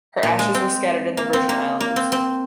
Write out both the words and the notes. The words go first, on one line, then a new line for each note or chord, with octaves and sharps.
Her ashes were scattered in the Virgin Islands.
A#2
G#3
C4
A#3
C4
A#3
A#3
C4
C4